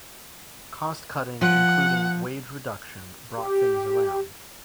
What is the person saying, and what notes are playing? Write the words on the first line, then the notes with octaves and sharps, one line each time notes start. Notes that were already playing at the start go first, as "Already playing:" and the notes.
Cost cutting, including wage reduction, brought things around.
F3 F#5
G4